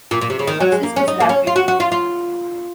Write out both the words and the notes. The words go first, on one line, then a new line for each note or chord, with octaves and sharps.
Success was rapid.
A#2
A#2
C3
C#3
D#3
F#3
G#3
A#3
C#4
D#4
A#3
C#4
F4
F#4
F#4
F4
F4